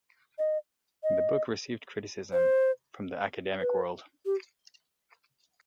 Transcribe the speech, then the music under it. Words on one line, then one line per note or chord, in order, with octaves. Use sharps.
The book received criticism from the academic world.
D#5
D#5
C5
B4
G4